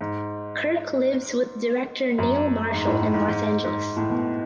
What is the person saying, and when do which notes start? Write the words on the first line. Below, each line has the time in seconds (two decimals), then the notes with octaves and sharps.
Kirk lives with director Neil Marshall in Los Angeles.
0.01 G#2
2.18 F#2
2.74 G#2
2.87 A2
3.01 A2
3.14 G#2
3.28 G#2
3.64 G#2
3.97 A2
4.10 B2